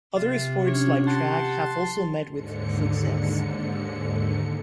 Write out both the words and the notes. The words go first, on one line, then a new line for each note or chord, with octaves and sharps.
Other sports like track have also met with success.
C3 F4 E5
C#4 D4 F4 C#5
G4 F#5 A5 C6
D#2 G#2 D3 C#7